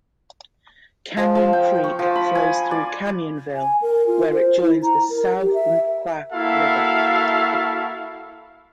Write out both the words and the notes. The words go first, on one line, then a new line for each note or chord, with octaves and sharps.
Canyon Creek flows through Canyonville, where it joins the South Umpqua River.
F3
F3
G5
C#6
F3
B5
G#5
D5
G#5
A#4
F4
C5
E4
A#5
A#4
G4
E5
A#3 E4 F#4 A4 E5 F5